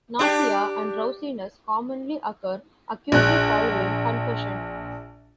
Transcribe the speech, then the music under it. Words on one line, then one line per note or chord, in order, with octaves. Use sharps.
Nausea and drowsiness commonly occur acutely following concussion.
D4 G4
A#1 F#6